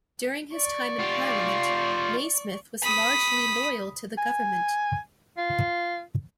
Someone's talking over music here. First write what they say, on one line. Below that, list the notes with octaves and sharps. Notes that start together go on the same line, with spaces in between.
During his time in Parliament, Naysmith was largely loyal to the government.
D5 C#6
F4 G4
B5 D#6
G#5
F4